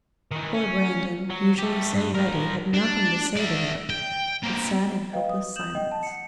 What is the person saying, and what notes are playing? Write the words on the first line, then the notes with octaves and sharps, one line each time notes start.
Poor Brandon, usually so ready, had nothing "to say to that," but sat in helpless silence.
D#3 E3
C#4
F#3
A3 G4
G2
F3 A#4
D4
D5 E5
G5
A#3 C4
B4 D#5 F5 G5
D#6
D#6 G6 E7 F#7
D#5 F#5 G5
A5
F#5 C#7